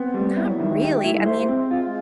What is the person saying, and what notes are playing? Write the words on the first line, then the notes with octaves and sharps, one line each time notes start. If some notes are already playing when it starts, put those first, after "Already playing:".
Not really, I mean
Already playing: B3 C4
G3
B3 E4
F#3
D#3 G3
G#3
G4
A3 E4
G3
G#3 C5
C4
F4